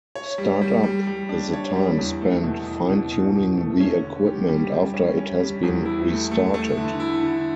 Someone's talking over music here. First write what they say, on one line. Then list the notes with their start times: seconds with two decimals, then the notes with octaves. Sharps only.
"Start-up" is the time spent fine tuning the equipment after it has been restarted.
0.15 C#5
0.38 G3
0.62 G3
0.84 G3
1.07 G3
1.29 D4
1.53 C#5
1.76 G3
1.98 E2
2.22 A3
2.43 B2
2.66 E2
2.90 B2
3.12 B2
3.35 E2
3.58 A3
3.80 C#4
4.03 D3
4.26 G4
4.49 G3
4.72 G3
4.94 C#4
5.18 C#4
5.40 G3
5.63 E2
5.85 E4
6.08 A3
6.32 A3
6.54 A3
6.78 D3
7.00 E4
7.23 D3